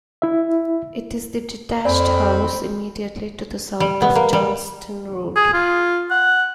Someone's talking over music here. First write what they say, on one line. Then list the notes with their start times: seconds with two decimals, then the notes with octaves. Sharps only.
It is the detached house immediately to the south of Johnstone Road.
0.22 E4 E5
1.85 F2 C4 D5 G#5 B5
3.80 G3
4.02 B3
4.15 A#3
4.33 G3
5.36 G#4
5.54 F4
6.11 F#5